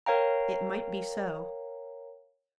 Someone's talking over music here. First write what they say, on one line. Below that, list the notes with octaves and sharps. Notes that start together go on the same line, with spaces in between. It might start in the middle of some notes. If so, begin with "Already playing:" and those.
It might be so.
A#4 C#5 F5 G5 A#5